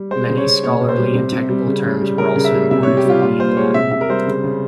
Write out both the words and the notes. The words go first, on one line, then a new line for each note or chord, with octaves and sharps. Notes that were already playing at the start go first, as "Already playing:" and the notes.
Many scholarly and technical terms were also imported from Neo-Latin.
Already playing: G3
G#3 C5
C#3
C#5
C#3
A#2 C#5
A#2
C5
G3
C3
C3
G3
C#3
C#3
G3
C#3 A#4
C#3
E5
G3
C3 E5
C#5
C3
G4
G3 F4
A#2 F4
A#2 C5
G#3 C#5
C3 E5
C3 E5
A#4
G3 C5
C#3
C#3